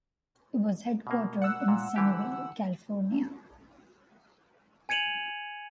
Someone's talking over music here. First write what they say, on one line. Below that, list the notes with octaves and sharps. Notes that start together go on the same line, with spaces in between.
It was headquartered in Sunnyvale, California.
B2 A#3
F#5 E6
A#2
D3 E3 G4
G#5 G#6 C#7 D#7 F7 F#7